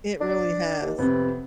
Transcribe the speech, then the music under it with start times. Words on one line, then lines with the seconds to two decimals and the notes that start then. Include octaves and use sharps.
It really has.
0.21 D4
0.82 D#2
0.98 F2 C3 B3 C4